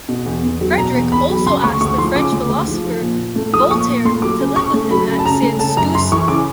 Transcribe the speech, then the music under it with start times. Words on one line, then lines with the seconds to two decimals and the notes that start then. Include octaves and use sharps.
Frederick also asked the French philosopher Voltaire to live with him at Sanssouci.
0.09 B2
0.26 E2
0.43 E2
0.61 F#3
0.78 B2 A#5
0.95 E2
1.12 E2 B5
1.30 F#3
1.46 C#3 C6
1.64 D2 C#6
1.81 D2 C#6
1.98 F3 C6
2.15 C#3 D6
2.32 D2
2.49 D2
2.68 F3
2.84 F3
3.01 A#2
3.19 A#2
3.36 A3
3.53 F3 D#6
3.71 A#2 C#6
3.87 A#2
4.05 A3 C6
4.22 F#3 D6
4.40 C#3
4.56 C#3 C#6
4.74 A3
4.91 F#3 B5
5.08 C#3
5.19 A5
5.26 C#3 A#5
5.42 A3
5.59 C#3 A5
5.77 F#2 A#5
5.94 F#2 C6
6.12 E3 C#6
6.28 C#3 D6